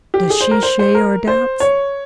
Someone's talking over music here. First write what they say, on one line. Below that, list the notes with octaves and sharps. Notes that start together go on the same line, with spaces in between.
"Does she share your doubts?"
G4
G#4
C5
A#4
C5
C5
A#4
C5
C#5